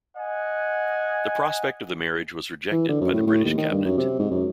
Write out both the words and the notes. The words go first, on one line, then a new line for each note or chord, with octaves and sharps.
The prospect of the marriage was rejected by the British Cabinet.
D#5 F#5 G#5
E3
D3
F#2
A2
A2
D#2
D#3
G2
F#2
C3
G#2
F#2